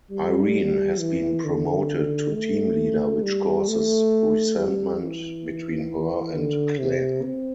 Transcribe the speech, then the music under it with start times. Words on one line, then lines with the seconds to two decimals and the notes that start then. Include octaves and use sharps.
Irene has been promoted to team leader which causes resentment between her and Clare.
0.11 G3
0.99 E3
1.45 D3
2.34 A3
3.23 G3
3.68 A3
4.57 G3
5.01 E3
6.35 D3
6.79 C3
7.24 C4